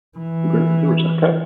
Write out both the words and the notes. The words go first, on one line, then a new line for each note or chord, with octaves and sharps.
The Great Believers, okay.
E3